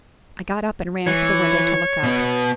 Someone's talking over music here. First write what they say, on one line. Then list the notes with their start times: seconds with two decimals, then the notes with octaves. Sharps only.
I got up, and ran to the window to look out.
1.07 E3 C#5
2.03 B2 B3